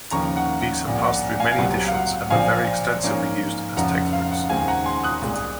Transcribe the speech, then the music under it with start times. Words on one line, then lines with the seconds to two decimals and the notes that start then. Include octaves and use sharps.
These have passed through many editions, and were very extensively used as textbooks.
0.11 D#2 C#3 F3 A#3 A#5 C#6
0.36 F#5
0.61 F#5
0.84 C2 A#2 F3 A#3
1.03 F#5
1.40 F5 G#5
1.52 F5
1.58 C2 C3 F#3 A#3 F#5
1.88 F5
1.94 F#5
2.30 A#1 A#2 F3 C4 F5 G#5
3.03 G#2 F3 A#3 C#4
3.76 F1 F2 C#3 F3 F#5 A#5
3.94 F#5
4.13 F5
4.32 F#5
4.49 D#2 C#3 G#3 C4 F5 G#5
4.68 F#5 A#5
4.86 G#5 C6
5.04 D#6 F#6
5.22 C2 A#2 G#3